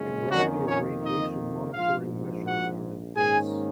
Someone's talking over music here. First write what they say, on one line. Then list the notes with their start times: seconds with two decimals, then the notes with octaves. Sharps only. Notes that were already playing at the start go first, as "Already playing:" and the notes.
A variety of radiation monitoring measures are in place.
Already playing: F#1 F2 C#3 G#3 C#4
0.30 F2 D#3 F#3 A#3 C#4 F#4
0.65 C#4 C#5
1.01 D#4 D#5
1.72 A#1 G#2 F3 F4 F5
2.44 F#4 F#5
3.15 G#2 D#3 A#3 C#4 G#4 G#5